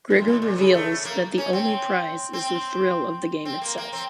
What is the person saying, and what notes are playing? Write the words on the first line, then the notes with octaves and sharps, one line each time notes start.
Grigor reveals that the only prize is the thrill of the game itself.
A2
F#2
A2
A#2
C#3
A3
A#3
C#4
C4
C4
C4
A#3
A#3
C4